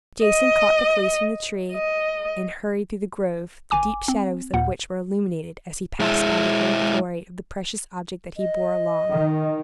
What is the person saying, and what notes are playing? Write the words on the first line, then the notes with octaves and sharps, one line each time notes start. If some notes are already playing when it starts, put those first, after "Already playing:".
Jason caught the fleece from the tree, and hurried through the grove, the deep shadows of which were illuminated as he passed by the golden glory of the precious object that he bore along.
D#5
D#5
G1 G#5 D6
C4
D#2 A#2 F#5
G#3 E4
D#5
D#3